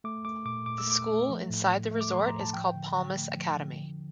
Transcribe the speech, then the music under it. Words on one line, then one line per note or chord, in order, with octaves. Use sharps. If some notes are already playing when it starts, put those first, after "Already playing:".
The school inside the resort is called Palmas Academy.
A3 D6
A3 D6
A#2 D6
A#2 D6
E6
A3 D6
A3
F3
A2
A2
A3
D6
F3 C6
A#5
A2
A5
F3 G5
D3
D3
A3
F3
D3
F3